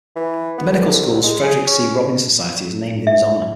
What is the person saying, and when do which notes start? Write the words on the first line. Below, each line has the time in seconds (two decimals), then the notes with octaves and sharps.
The medical school's "Frederick C. Robbins Society" is named in his honor.
0.16 E3
0.58 B3
0.71 C2
1.23 G#3
1.43 G#4
1.67 C#4
3.07 E5